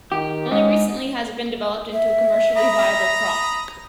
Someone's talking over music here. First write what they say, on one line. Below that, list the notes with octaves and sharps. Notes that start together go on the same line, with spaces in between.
Only recently has it been developed into a commercially viable crop.
D#3 G4
G#2 D#5
E5
A#5 B5 D#6